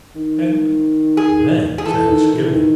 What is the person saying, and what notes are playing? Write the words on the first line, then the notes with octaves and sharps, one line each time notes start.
And then Thanksgiving!
D#3
G#4
G#4
E3 A4
D#3
E3
D#3